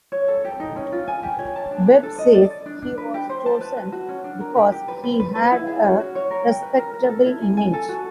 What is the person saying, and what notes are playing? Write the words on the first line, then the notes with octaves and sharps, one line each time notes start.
Webb says he was chosen because he had a respectable image.
C#5
A4
G4
D#4
C#4
F4
G#5
G4
C#5
A5
D4
D4
A4
D#5
D5
D5
D4
D4
B4
G4
C5
A5
B4
B4
F#4
C#4
D4
A#4
G4
G4
B4
B4
B4
B4
E4
G#4
C#4
F#4
C#5
A#4
G5
B4
A#4
A#4
A4
E4
G#5
G#5
A4
F#4